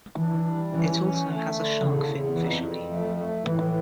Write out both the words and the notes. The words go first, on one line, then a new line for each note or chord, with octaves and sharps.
It also has a shark fin fishery.
E3 D4
G3
E3 C#4
C#4
A3
D3
E2 C#3
E2
F2 E3
F2
F3 A3
A3
A2 E3